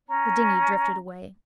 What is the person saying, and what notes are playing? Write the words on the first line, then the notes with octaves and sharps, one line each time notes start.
The dinghy drifted away.
C#4 A#5